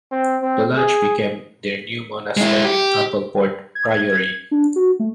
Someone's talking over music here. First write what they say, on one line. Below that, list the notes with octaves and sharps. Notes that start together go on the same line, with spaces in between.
The lodge became their new monastery, Ampleforth Priory.
C4
C4
G#4
G#3 E4
G4
G#6
D4
F#4
A3